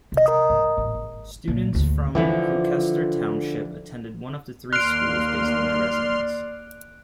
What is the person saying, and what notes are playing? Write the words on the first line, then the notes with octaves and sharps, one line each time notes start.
Students from Gloucester Township attend one of the three schools based on their residence.
C3
G#2
D#1 A1
G#1
A#2 E3
D2 G#2
D3 E3 F3 E4
D#2 A#3 D5 C6 F6 F#6 D7